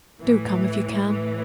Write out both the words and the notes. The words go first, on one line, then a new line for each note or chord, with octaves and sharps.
Do come if you can.
A2 E3
A2 E3